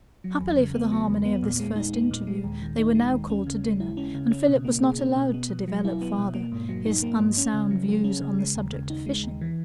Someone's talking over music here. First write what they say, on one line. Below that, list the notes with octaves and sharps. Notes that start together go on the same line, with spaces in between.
Happily for the harmony of this first interview, they were now called to dinner, and Philip was not allowed to develop farther his unsound views on the subject of fishing.
F#3
E2
C#3
B3
F#3
E2
B3
A#2
G#3
D#4
B3
A#2
G#3
D#2
D#3
D#4
G#3
D#2
C#4
C#3
G#3
E4
C#4
C#3
C#4
B2
A#3
G#4
C#4
B2
B3
B2
F#3
E4
B3
B2
A#3
G#2
F#3
D#4
A#3
G#2
C#4
C#3
F#3
G#4
C#4
C#3
G#3
D#2
C#3
D#4
G#3
D#2
E3